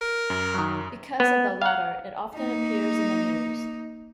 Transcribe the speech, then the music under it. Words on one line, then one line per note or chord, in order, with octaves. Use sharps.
Because of the latter, it often appears in the news.
A#4
F#2
D#3 F#3
B3
F5 F#5
A#3 D#4